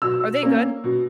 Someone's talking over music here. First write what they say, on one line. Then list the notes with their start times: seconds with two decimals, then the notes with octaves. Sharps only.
Are they good?
0.02 B2 E6
0.43 A#3 C#4
0.84 B2